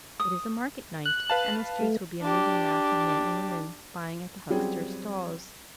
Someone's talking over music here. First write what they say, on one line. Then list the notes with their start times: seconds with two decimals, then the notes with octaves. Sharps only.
It is a market night, and the streets will be a moving mass of men and women buying at the hucksters' stalls.
0.20 D#6
1.05 F#6
1.30 B4 F5 A5
1.81 A3
2.22 D4 G4
4.50 F#3 G3 C4 C#4 F4 G#4